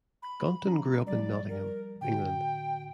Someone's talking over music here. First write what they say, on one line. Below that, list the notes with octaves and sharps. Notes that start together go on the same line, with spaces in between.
Gunton grew up in Nottingham, England.
B5
F3 C#4 A#5
F3 G3 D5
A#4
A2 D3 F#4 G5